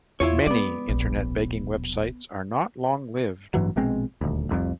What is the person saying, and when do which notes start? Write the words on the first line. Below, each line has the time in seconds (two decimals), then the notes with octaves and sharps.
Many Internet begging websites are not long lived.
0.20 E2 E4 F4 C#5
0.47 G#3 B3 D5
0.89 D1 A#1
3.54 A1 G2 E3 F#3
3.76 A#1 B2 G#3 C4
4.21 D#1 D2
4.49 F1 C2 F2